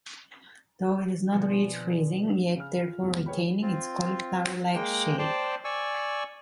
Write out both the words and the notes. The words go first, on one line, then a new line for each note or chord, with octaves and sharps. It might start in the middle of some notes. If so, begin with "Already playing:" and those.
Though it has not reached freezing yet therefore retaining its cauliflower like shape.
B2 D3 F3 G#3 B3 C4
C#3 F6
F4
E2 G#2 C3 F3
G#4 B4 C#5 G5 B5
C4 F4
G#3 A#3 G5
C5 D5 G5 A5
D5 G#5 C#6 E6